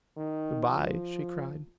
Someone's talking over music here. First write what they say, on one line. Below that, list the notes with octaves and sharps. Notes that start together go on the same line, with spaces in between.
"Good-bye!" she cried.
D#3
F3